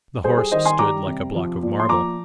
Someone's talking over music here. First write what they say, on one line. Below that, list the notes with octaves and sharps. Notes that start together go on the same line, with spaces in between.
The horse stood like a block of marble.
G3 G#4 C5
G#4
D#3 C5 D#5
G#5 C6
G3 A#5 D6
C3
F3
A#2
C6
F3 A#5 D6